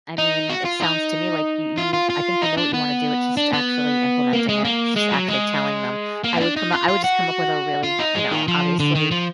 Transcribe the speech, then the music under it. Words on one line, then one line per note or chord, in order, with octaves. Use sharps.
I mean, it sounds to me like you you I think you know what you wanna do, it's just actually implementing it, it's just actually telling them. I would come u I would just come up with a really, you know, obviously,
D#4
F#4
F4
D#4
F4
F4
F4
D#4
D4
B3
D4
B3
A#3
G#3
A#3
G#3
F#3
G#3
A#3
B3
D4
D#4
F4
F4
F#4
F4
D#4
G#3
D#3
F3
D3
D#3
F3